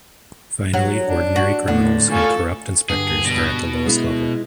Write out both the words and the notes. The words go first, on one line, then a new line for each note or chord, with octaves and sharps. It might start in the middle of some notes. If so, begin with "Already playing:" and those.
Finally ordinary criminals and corrupt inspectors are at the lowest level.
F#3
D4
F#4
A2 D3
F4 A4 G#5 C#6
G2 D3 G#4
B2
G#3 E4